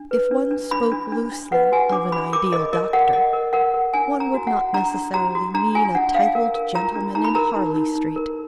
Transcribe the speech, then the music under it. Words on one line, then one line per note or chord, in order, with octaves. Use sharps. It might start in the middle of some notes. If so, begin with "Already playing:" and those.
If one spoke loosely of an ideal doctor, one would not necessarily mean a titled gentleman in Harley Street.
Already playing: D4
B4
D4
D4
D4 B5
D4
D4
D4
B4 F#5
F#4 G#5
D4 D6
F#4 B5
A#4 D6
A#4 D#5
A#4 D#5
A#4 F#5
A#4 D#5
A#4
A#4 F#5
A#4
D4 G#5
D4
A#5
F#4
F#5
F#4
D4 A#5
D4
F#4 A#5
F#4
D4 A#5
F4 G#5
D4 F#5
D4 F5
A#4
A#4
F4 A#5
D4
D#4 A#5
B5
A#4 A#5
D#4
D#4
D#4
A#4